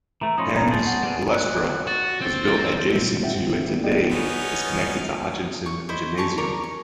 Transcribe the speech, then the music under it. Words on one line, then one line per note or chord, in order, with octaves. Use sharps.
Penn's Palestra was built adjacent to and today is connected to Hutchinson Gymnasium.
E3 A3 A#5
F3 C#4 D#4 C#5 B5 C6 D#6
C#4 A#5
G#4 C5 A5
F#5
G3 B3 G#4
F#6
F#4 A6
C4 A6
A#2 G3
C4 F4 E5 F#5 G5
G2
C4 G5
G3 A#3 B3 D4 F4
B3 D#4 F4 D5 D#5 G5
B3 C#4 D#4
C#6
E4 C5 D#5
G#4 C#5 A5 C#6
A#4 C#5 D5 A#5
C#6